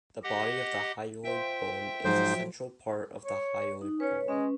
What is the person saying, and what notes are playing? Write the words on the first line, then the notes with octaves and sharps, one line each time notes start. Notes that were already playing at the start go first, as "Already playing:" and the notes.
The body of the hyoid bone is the central part of the hyoid bone.
G4 D#5 F#5
F4 C5 E5 G5
G#2 F3 F#3 C5
C#5
D#4
C#4 B4 C#5
G#3 C#4 B4